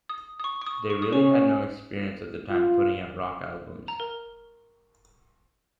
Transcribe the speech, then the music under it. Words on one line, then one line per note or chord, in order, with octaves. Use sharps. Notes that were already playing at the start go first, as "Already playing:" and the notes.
They really had no experience at the time putting out rock albums.
D#6
D#6
C#6
C#6
D#6
C#6
D#6
C#4 C#6
F4
A#5
A#4